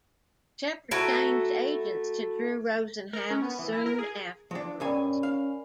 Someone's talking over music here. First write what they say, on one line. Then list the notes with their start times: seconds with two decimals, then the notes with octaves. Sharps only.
Sheppard changed agents to Drew Rosenhaus soon afterwards.
0.91 A3 E4 F#4 A#5
3.13 A#4
3.31 C#4
3.42 B3
3.59 E3
3.72 E4
3.86 A#4
3.99 G#4
4.51 F3 D4
4.80 B1 G2 C#4 A#4 D5 G#5 B5
5.23 F5